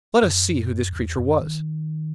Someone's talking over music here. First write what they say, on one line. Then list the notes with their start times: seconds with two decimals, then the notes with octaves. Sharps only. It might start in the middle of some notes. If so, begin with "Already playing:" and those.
Let us see who this creature was.
0.22 F#2
0.93 E2
1.16 F#2
1.40 D#3